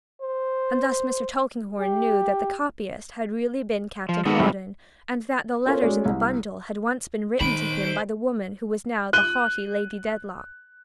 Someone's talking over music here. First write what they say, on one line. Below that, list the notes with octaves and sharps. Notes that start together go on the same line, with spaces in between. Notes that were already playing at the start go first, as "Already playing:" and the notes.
And thus Mr. Tulkinghorn knew that the copyist had really been Captain Hawdon and that the letters in the bundle had once been written to him by the woman who was now the haughty Lady Dedlock.
C5
G4
F3
D#3 G#3 B3 F#4 A4
B1 A2 C3 G3
C#4 F4 A4 A#4 C5 C#5
F#3 G#3 C#4 D5
C2
D#3 B3 C5 B5 D7
F#6 D#7 G7